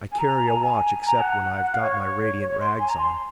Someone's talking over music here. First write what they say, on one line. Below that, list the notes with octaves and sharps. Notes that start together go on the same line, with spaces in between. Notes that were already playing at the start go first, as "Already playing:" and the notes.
"I carry a watch except when I've got my radiant rags on."
G#5
A#5
G#5
A#5
G#5
A#5
F#5
F#5
F5
C#5
C#5
C6
G#5
A#5
C6